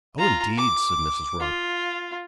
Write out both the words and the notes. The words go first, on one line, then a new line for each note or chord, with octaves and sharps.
"Oh, indeed!" said Mrs. Roper.
F4 A#5
D6
F4